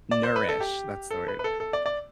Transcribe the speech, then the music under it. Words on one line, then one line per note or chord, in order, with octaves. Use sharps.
nourish, that's the word,
D5
C5
B4
A4
G4
A4
B4
B4
A4
A4
D5
D5